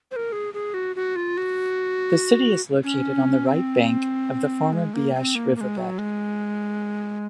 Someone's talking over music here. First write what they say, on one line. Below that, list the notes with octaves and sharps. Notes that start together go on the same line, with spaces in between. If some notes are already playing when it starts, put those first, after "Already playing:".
The city is located on the right bank of the former Beas River bed.
C5
A#4
G#4
G#4
F#4
F#4
F4
F#4
C#4
C4
G#3
A#3
C4
A#3
A#3
G#3
F#3
G#3